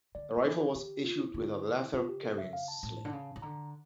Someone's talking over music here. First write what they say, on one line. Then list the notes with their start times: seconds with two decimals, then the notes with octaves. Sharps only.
The rifle was issued with a leather carrying sling.
0.15 D3 D5
0.30 C#5
0.36 D3
0.45 E3 A4
0.75 D3 G4
1.04 F4
1.19 E4
1.34 D3
1.93 C#3 F4
2.09 G4
2.23 A4
2.38 E5
2.53 F5
2.68 A5
2.83 A2
3.05 D3
3.13 C#3
3.36 C#3
3.42 D3 A#5